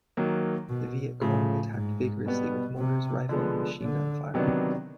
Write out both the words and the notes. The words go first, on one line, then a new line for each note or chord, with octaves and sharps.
The Viet Cong attacked vigorously with mortars, rifle and machine gun fire.
D#3 F#3 A#3
B2
A2 C#3 F3 A3
G#2
B2 G3 B3
C3
D3 F3 G#3 B3
D3
C3 D#3 F#3 B3 D4